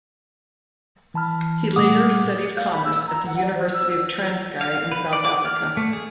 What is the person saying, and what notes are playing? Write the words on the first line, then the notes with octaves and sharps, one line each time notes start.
He later studied commerce at the University of Transkei in South Africa.
E3 A5 B5 F6
A#2 G3 A3 F#5 D6 D#6
F5
B5
E6
A#5
F#5
D5
C5
E6
F5
B4
D5
D6
F6
A3
G#4